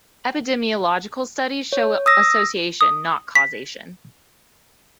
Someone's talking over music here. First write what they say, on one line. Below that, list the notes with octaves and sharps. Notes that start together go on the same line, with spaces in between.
Epidemiological studies show association not causation.
C#5
D#6 E6 A#6
D#6
B6